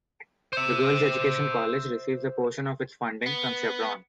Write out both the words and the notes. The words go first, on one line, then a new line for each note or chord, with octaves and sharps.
The Girls Education College receives a portion of its funding from Chevron.
C5 E5
B3